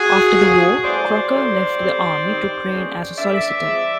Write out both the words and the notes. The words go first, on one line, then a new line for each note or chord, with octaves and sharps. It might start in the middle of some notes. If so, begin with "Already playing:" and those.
After the war, Crocker left the army to train as a solicitor.
Already playing: F#4 G#4
A2 F3 A#3 C#4
A2 E3 G3 B3 D4 C5 D5
D3 F#3 A3
D3 G3 C4
D#3 G3 C4 D#4
B2 G#3 C#4
A2 E3 A3 D4 D5 E5
F3 G#3 C4